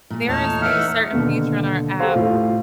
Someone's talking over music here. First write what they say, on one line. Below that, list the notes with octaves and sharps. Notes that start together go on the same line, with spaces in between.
there is a certain feature on our app,
A#2 A3
E2 D#4 C#5 A5 F6
E3 D#4 E5 F#5 F6
D#2 B2 D3
G4 A4 C5 F5
A2 F4 F5